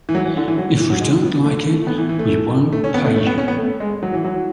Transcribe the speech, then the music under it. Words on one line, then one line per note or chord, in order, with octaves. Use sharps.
If we don't like it, we won't pay you.
E3
F#3
E3
D3
E3
F#3
E3
F#3
G#3
B3
A3
A3
A3
B3
E3
E3
A3
A3
C#4
B3
A3
A3
B3
C#4
B3
A3
G#3
F#3
E3
F#3